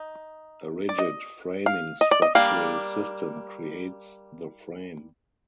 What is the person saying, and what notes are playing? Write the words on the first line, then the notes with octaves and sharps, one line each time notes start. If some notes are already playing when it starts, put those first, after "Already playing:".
A rigid framing structural system creates the frame.
Already playing: D#4
D5
D#5
F5
D#5
D5
D#5
G3 A#3 D4 F5